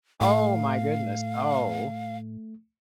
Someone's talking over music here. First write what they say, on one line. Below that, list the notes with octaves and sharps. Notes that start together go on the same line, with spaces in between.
Oh my goodness. Oh.
A2 A3 F5